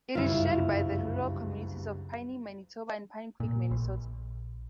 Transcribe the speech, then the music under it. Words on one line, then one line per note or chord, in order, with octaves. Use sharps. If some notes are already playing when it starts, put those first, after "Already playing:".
It is shared by the rural communities of Piney, Manitoba and Pinecreek, Minnesota.
F#1 C2 G2 E4 F4
A#2
A#1